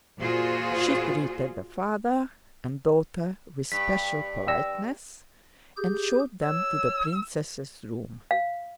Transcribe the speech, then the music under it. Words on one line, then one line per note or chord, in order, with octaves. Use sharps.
She greeted the father and daughter with special politeness and showed them to the princess' room.
A#2 F4 F#4 G#4 C5
G2 B6
D5 G5 E6 A#6
G4 G#4 G6
C#5 E6
F5